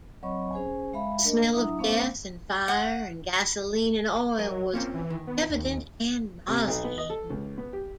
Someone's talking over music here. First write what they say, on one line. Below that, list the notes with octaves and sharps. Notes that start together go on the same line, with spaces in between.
The smell of death, and fire, and gasoline, and oil was evident and nauseating.
F#3 C4 C#5 D#5 B5 C#6
C#4 G#4 C5 G#5
G#3 E5 F5 B5
A3 D4 A#4 D#5
F#3 D4 E4 E5 A#5 D#6
A3 B3 C#4 C5 F5 D6
F#5
F#3 A#4 D#5
A#3 C4 C#4 F4
E3
D#3
B3
D#2
C3
B1
B3
D#5
A4
C#2
B3
G4